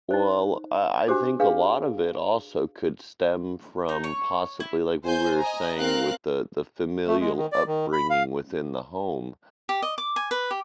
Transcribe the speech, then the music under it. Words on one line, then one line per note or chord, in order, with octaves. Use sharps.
Well, uh, I think a lot of it also could stem from, possibly, like, what we were saying with the the familial upbringing within the home,
D#4 C5
D4 F#4 G4 C5 D6
D4 G#4 B4 F5
D#4
C#5
E4
C5 G#5 G6
D#5 G#5 A#5
C4 A#4 F5 F#6
A3
G#3
D#3
D5
D#3
B5
F5
G4
D#5
D6
G#5
B4
G4